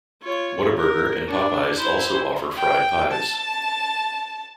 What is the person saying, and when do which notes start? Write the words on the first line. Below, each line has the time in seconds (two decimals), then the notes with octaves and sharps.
Whataburger and Popeyes also offer fried pies.
0.22 F4 C#5
0.77 A#4
1.28 D4
1.78 E4 C5
2.57 G5
3.12 A5